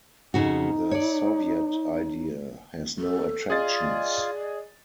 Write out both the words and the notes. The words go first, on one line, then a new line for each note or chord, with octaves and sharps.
The Soviet idea has no attractions.
F2 C#3 D#4 F#4
C#5 D5
A4
F4 G#4 D5 D#5 A6